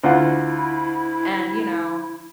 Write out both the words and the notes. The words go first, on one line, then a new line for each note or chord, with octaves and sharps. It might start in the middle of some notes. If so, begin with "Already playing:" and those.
And, you know,
D2 E4 F4 F#5